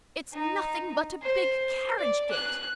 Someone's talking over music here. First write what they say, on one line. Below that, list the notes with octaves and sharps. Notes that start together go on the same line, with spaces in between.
It's nothing but a big carriage gate!
D#4
C5
D5
F#6